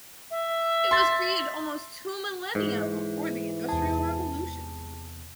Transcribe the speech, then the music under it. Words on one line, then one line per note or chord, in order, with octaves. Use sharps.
It was created almost two millennia before the industrial revolution.
E5
C6 A6
G#2 E3
E2 C3 G#4 A5